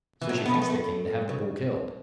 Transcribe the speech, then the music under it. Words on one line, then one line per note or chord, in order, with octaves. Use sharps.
So she asked the king to have the bull killed.
E3
F#3
A3
B3
A3
B3
A3
C#3